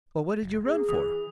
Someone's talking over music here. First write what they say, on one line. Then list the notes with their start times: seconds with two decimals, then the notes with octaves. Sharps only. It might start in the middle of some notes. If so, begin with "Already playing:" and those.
"Well what did you run for?"
0.43 F#1
0.65 A#3 G#4
0.89 E3 D#6